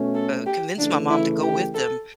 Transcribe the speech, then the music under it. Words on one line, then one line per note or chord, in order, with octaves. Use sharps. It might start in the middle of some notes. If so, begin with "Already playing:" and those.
uh, convince my mom to go with them,
Already playing: B2 A3 C#4
A4
G4
C#3 E3 A3 D4
E4
G4
A4